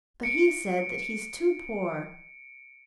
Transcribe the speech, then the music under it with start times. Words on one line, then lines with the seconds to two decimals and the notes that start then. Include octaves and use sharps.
But he said that he is too poor.
0.23 C#7 D7